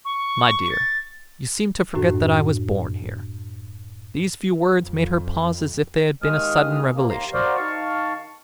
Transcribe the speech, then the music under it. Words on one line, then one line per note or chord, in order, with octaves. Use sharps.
"My dear, you seem to forget that I was born here." These few words made her pause as if they had been a sudden revelation.
C#6
A6
F#2 A2 D4 F#4
F2
D#2 D#3 G#3 D#6 F6
C3 A#3
D#2 A#3 A#5 C6
F#4 A#4 C5 D5 F5
D#3 F5 A5 C#6